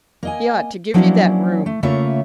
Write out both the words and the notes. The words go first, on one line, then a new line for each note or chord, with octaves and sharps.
He ought to give you that room.
A#3 D#5 G#5
F3 F#3 A#3 C#4 D4 E4
A3
C#3 A3 A#3 F4 C#5 E5